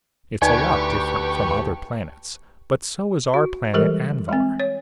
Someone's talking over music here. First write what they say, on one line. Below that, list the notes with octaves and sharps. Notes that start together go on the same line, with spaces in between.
It's a lot different from other planets, but so is our planet Anvhar.
D2 D#4 G4 B4 D5 G5 G#5 C#6
F#4
E3 G3 G#3 G4 A4 A#4
G#3 C4
C#5